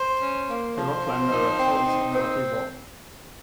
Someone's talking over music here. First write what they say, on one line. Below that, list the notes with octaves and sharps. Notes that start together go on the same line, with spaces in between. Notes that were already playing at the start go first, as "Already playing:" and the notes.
A rock climber repels off a rocky wall.
Already playing: C5
C#4
A#3
F3 C5
F3
D#4
C4
D#4
C4